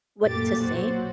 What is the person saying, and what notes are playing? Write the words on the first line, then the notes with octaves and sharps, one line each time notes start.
what to say,
F#2 A#2 A3 G4 D6 A6
B1 F#3 F#4 C5